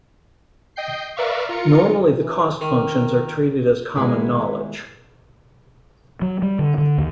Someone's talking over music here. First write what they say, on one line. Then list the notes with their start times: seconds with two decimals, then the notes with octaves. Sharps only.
Normally the cost functions are treated as common knowledge.
0.76 D#5 G5 G6 C7
1.17 A#4 B4 D5 E5 F5 C#6
1.49 F4 A#4 C#7
2.15 E3
2.61 D#3 A#4
3.95 D#3 G3 G#3 B3 E4 G#4
6.22 F#3
6.42 G3
6.59 D3
6.78 D3
6.98 D#2